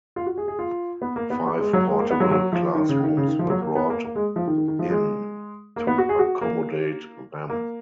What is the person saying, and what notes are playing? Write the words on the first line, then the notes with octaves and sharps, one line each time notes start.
Five portable classrooms were brought in to accommodate them.
F4
F#4
G#4
G#4
F4
B3
A#3
B3
B3
G#3
F#3
G#3
A#3
B3
F#3
F#3
F3
D#3
C#3
D#3
C#3
D#3
F3
F#3
A#3
B3
A#3
A#3
G#3
F3
D#3
D#3
D#3
F3
G#3
A#3
B3
F#4
G#4
F#4
A#3
A#3